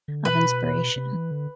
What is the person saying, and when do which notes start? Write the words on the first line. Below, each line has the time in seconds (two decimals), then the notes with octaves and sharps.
of inspiration.
0.08 D3
0.25 B2 B4
0.96 C3
1.14 E3
1.31 D3